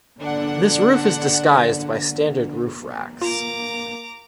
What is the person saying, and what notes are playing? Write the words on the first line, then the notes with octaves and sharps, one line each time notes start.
This roof is disguised by standard roof racks.
D3 D4 F#5
A#3 F4 A#5 D6